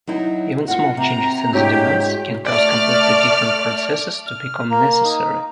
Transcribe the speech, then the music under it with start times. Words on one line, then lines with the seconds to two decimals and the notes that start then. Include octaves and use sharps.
Even small changes in the demands can cause completely different processes to become necessary.
0.07 F#3 D#4 E4
0.68 F4 F#4 F#5
0.97 C3 A#5
1.53 G#2 G#3 D4 E4 F#4 G4 C#5
2.48 A3 D5 F6
4.27 F6
4.70 A#3
5.04 D#4